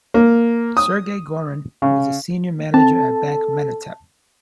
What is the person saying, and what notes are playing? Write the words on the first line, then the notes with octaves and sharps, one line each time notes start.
Sergei Gorin was a senior manager at Bank Menatep.
A#3
D#6
C#3
C4 A4 A5